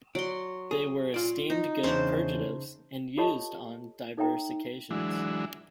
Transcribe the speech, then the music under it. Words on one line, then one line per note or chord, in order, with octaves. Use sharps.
They were esteemed good purgatives, and used on diverse occasions.
F#3 D5 C6
G#4
F4 D5
D#4
E2 C#3 D4 C5 A5
F4 G4 A4 C#5 D#5 A5
D#4 A4 C#5 E5 G5 A#5
E3 F#3 G#3 D4 E4